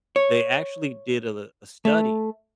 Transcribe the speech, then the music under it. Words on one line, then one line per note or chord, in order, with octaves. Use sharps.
They actually did a l a study
C#5
A3